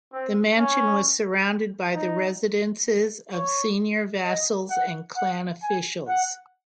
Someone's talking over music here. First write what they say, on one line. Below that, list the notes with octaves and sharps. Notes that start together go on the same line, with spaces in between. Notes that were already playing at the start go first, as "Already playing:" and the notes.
The mansion was surrounded by the residences of senior vassals and clan officials.
C4
C#4
D#4
C#5
D#5
F#5
F#5
G#5
F#5